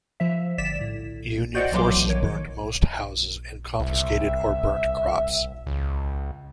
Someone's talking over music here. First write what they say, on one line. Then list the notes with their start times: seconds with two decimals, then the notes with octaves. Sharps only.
Union forces burnt most houses and confiscated or burnt crops.
0.20 F3 E5
0.58 G1 D5 B6 E7
0.81 A2
1.54 F#4 C5 D5 D#5 F#5 G5
1.72 B1 E3 F#3 A3 C6 D6
2.07 A#1 D#3 C#5
3.80 C2 E5
5.67 C#2